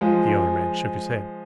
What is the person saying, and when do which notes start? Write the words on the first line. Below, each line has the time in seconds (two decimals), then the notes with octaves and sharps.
The other man shook his head.
0.01 F3 G#3